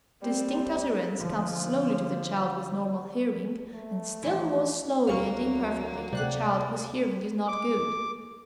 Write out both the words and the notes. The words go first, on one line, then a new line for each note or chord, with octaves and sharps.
Distinct utterance comes slowly to the child with normal hearing, and still more slowly and imperfectly to the child whose hearing is not good.
G3 C4
D3 F3
A3
E3 F3
D2 F#3 A#3 F5 C#6 F6
C3 D5 F#5 F#6
D6